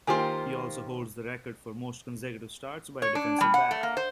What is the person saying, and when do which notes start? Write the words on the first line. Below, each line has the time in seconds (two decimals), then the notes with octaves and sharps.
He also holds the record for most consecutive starts by a defensive back.
0.07 D#3 A#3 F4 G4 C5 G#5
3.02 C#5
3.15 D4
3.41 G3
3.54 F#5
3.71 A3
3.83 A#3
3.97 C5